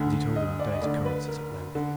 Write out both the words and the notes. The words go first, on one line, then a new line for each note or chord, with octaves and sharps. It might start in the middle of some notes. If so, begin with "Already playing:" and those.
And he told him the day's occurrences at length.
Already playing: D2 D3
D#5
D5
D#5
D2 D3 D5
B4
A#4
D3